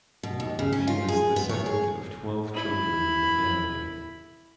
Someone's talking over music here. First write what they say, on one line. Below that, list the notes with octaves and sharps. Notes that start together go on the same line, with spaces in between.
She was the second of twelve children in the family.
B2
D#2
C#3
C#4
F4
G#4
B3
C#5
G#4
E4 B5